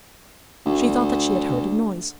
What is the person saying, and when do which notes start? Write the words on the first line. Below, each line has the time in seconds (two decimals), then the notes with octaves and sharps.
She thought that she had heard a noise.
0.66 D2